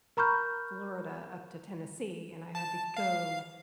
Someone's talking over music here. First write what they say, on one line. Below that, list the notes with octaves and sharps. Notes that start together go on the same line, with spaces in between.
Florida up to Tennessee, and I had to go
A#4 A#5 B5 C#6 F6 G6
A5
F5